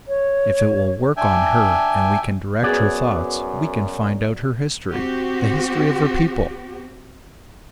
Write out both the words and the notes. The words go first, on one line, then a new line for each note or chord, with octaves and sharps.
If it will work on her, and we can direct her thoughts, we can find out her history, the history of her people!
C#5
D4 E5 G5 G#5
F#2 B3 F#4 G#4 C#5 D5
C4 F#4 G4